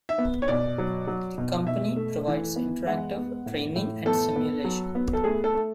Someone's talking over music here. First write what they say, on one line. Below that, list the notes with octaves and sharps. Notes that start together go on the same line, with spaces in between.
The company provides "Interactive Training and Simulation".
E5
B3
C#5
B2 D5
F#3
F#3
B2
B2 E5
A3
E3
B3
G#3 F#5
B3
A2
A2
B3 A4
B3
F#3
B3
A4
A3 G#4
A4
A3